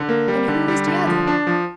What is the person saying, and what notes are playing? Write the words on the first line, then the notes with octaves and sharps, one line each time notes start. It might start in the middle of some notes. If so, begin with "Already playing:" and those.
"And who is the other?"
Already playing: D3
A#3
G3
D3
G3
D3
F3
D4
F3